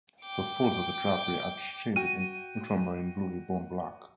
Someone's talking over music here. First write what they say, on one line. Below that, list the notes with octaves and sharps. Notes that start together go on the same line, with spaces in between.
The folds of the drapery are shaded in ultramarine blue with bone black.
G5 D6
F#4 G5 D#7